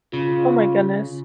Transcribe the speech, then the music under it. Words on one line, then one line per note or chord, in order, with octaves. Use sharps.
Oh, my goodness.
C#3 F4